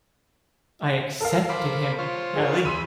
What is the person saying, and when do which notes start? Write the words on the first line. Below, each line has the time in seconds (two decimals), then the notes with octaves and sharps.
I accepted him, Nelly.
1.21 A4 A#4 F5
1.49 C5 B5 D6
1.99 F4 C5 C#5
2.35 G#4 A#4
2.65 E2 B5 C6 E6 D#7